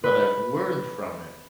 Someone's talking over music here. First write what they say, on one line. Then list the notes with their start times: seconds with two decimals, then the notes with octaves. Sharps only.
that I've learned from it,
0.04 B4